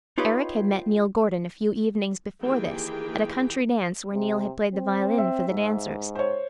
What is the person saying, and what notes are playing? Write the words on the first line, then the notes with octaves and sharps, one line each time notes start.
Eric had met Neil Gordon a few evenings before this, at a country dance where Neil had played the violin for the dancers.
D#4 F4 G4 B4 C#5 D#5
D#3 E3 A#3 G4 G#4 G5
C3
C4
E5
G#2
C5 C#5